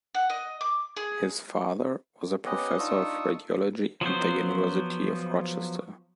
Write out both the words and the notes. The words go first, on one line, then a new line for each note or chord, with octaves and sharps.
His father was a Professor of Radiology at the University of Rochester.
F#5
D#5
D6
G#4
B3 C#4 G4 D#5 F#5
D4 D#4 F4 C#6 D#6 E6
F3 F#3 B3 C5